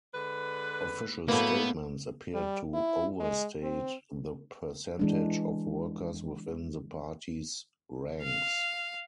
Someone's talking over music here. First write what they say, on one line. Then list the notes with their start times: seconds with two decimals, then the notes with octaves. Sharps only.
Official statements appeared to overstate the percentage of workers within the party's ranks.
0.14 D3 G#3 B4
1.28 A2 A#3 B3 F#4 B4
2.34 G3
2.74 E4
3.20 G#3
3.62 C4
4.99 E3 G#3 D4
8.22 F5